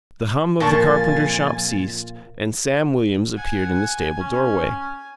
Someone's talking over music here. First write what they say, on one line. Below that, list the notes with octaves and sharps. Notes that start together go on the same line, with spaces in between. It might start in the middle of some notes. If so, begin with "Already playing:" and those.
The hum of the carpenter shop ceased, and Sam Williams appeared in the stable doorway.
F2 A#2 F4 G#5 A5 C#6 A6
F#5 G#5
C#4